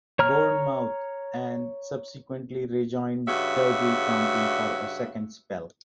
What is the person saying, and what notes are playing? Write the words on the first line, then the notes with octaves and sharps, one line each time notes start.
Bournemouth and subsequently rejoined Derby County for a second spell.
C#5 A#5 F6
G2 C#3 F#4 E5